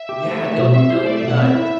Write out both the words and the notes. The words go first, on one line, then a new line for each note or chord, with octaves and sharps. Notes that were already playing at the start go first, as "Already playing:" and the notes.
Yeah, it'll it'll be nice.
Already playing: E5
G4
A3
A3
B2
C4 E5
E4 C5
A3 D5
E5
B2 F#5
C4 E5
E4